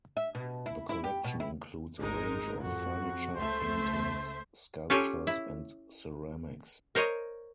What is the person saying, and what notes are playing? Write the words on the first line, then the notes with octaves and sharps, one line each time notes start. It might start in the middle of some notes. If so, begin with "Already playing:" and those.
The collection includes a range of furniture, paintings, sculptures and ceramics.
E5
B2
E4
E4
G4
B2
E4
G#1 G#3 D#4 A#4
F2 F#4
C#2 A3 C5 E5
C#4 F4 G4 A4 C#5
E4
A#4 C5 C#5 D#5